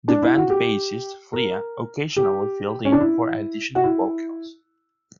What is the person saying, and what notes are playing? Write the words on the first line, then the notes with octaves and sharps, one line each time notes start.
The band's bassist Flea occasionally filled in for additional vocals.
D4
E4
F#4
G4
A#4
G4
C#4
D4
E4
F#4
E4